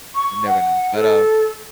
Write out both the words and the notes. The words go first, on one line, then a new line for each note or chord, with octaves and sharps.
You never know. But, um
C#6
F#5
A4